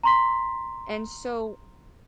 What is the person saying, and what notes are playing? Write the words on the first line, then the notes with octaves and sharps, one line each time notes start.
And, so
A#5 C6 B6